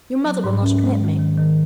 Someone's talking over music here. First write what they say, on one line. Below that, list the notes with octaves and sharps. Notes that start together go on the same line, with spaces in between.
"Your mother will not admit me."
F#3
G#2
C#4
G#3
D#3
D#3
D#3